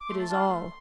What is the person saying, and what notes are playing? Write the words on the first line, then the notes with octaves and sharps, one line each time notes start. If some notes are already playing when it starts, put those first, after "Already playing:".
It is all.
D6
A3 C6
A5
D4 F4 A5
C6
A3